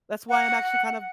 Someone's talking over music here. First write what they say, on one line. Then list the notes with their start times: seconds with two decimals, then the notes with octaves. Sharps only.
That's why I'm actually kind of
0.29 F#5